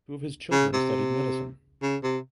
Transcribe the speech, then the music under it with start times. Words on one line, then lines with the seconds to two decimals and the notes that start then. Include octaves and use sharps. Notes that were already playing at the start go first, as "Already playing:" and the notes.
Two of his children studied medicine.
0.52 C#3
0.73 C3
1.82 C#3
2.03 C3